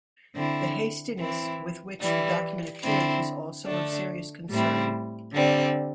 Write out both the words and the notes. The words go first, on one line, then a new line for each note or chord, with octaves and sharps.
The hastiness with which the document appeared is also of serious concern.
D3 C4 E4
E3 C4 E4
E3 G3 E4
D3 C4 E4
D3 A3 D4
A2 G3 C4 E4
D3 G3 C4